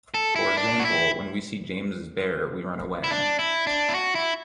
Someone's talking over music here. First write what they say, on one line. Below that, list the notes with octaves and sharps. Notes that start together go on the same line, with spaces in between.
For example, when we see James's bear, we run away.
A4
E4
D4
F#4
E4
E4
D4
E4
D4
E4
F#4
E4